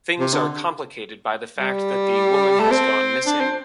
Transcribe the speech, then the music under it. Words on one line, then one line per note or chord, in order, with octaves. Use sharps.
Things are complicated by the fact that the woman has gone missing.
C3
D3
G3
A3
C4
D4
C4